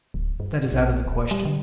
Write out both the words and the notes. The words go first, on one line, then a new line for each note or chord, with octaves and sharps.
That is out of the question.
D1
G2
A#1
D1
G3
D3